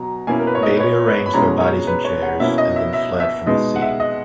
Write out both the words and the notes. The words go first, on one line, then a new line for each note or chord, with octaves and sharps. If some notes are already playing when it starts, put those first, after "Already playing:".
Bailey arranged their bodies in chairs and then fled from the scene.
Already playing: B2 F#3 A#5
B2 A#3 C#4 E4 G#5
A#4
B4
C#5
D#5
B4
C#5
B4
B5
B2 G#3 C#4 E4 A#5
C#5
B4
C#5
F#5
B2 A#3 C#4 E4 E5
D#5
E5
E5
E5
B2 G#3 B3 D#4 D#5
F#5
E5
D#5